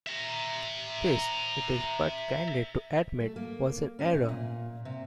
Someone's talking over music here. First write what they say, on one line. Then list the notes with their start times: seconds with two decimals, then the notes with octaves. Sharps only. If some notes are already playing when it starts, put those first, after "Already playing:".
This, it is but candid to admit, was an error.
0.07 E5 A#5
3.20 A3
3.36 A#3
3.99 C#4
4.14 C3
4.29 A#2
4.85 C3